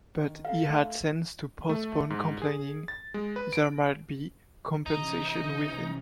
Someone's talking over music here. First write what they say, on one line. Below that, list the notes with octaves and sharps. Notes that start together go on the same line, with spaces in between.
But he had sense to postpone complaining: there might be compensation within.
D#3
A4 F5
A3
A3
G#2
G#4
A6
G#3
B4
D7
C3 E3 C#4 D#4